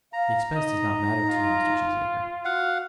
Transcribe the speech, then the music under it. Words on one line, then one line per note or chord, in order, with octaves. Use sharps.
"The expense does not matter to you, Mr. Cheesacre."
F5 A#5
D#4 D#5
F4
F#4 F5 F#5